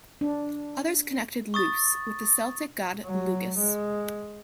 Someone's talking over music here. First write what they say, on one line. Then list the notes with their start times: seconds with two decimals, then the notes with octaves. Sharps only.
Others connected "Lus-" with the Celtic god Lugus.
0.21 D4
1.54 C#6 D#6 A6
3.05 F#3
3.59 G#3